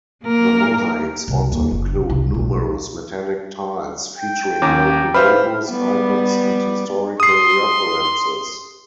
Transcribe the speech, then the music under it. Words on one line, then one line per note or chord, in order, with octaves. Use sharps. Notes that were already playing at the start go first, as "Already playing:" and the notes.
The mosaics also include numerous metallic tiles featuring local logos, icons and historical references.
A#3 A#4
C2
D#2
F#1
C2
C2
B1
G5
D#2 C#4 A#5 D6
B4 C5 E5 F5 B5 F6
G3 B3
C6 D#6 C7